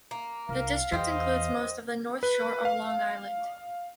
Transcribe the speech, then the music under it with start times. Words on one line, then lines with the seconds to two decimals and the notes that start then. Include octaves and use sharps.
The district includes most of the North Shore of Long Island.
0.11 A#3
0.49 C2 A#4 F5
0.92 E2 C5 D#5 G5
2.23 B4
2.65 F5